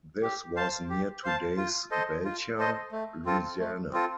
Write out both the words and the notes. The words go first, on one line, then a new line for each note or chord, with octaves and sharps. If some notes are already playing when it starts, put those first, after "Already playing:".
This was near today's Belcher, Louisiana.
G4
C5 F5 A5
G4
C5 F5 A5
F4
A4 C5 D#5
F4
A4 C5 D#5
A3
C4 F4 A4
A3
C4 F4 A4